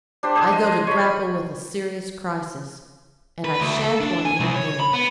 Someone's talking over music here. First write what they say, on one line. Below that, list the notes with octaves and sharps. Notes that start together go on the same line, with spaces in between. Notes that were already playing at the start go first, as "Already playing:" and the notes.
'I go to grapple with a serious crisis, and I shan't want any dinner.'
D4 G4 C5
G#4 C5
D#5
C#5 B5
B4
D2
A4
D4
G#5
C2
C#5
B5
B3